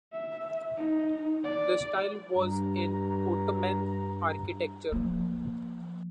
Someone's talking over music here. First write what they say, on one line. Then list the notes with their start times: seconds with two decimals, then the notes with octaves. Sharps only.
The style was in Ottoman architecture.
0.13 E5
0.77 D#4
1.44 D5
2.36 G2 A#5
4.92 F3 A#3